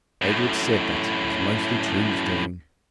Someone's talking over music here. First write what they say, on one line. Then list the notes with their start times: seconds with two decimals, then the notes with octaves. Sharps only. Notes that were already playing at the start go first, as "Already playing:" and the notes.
Edred said that it was mostly True's doing.
0.22 F#2 A2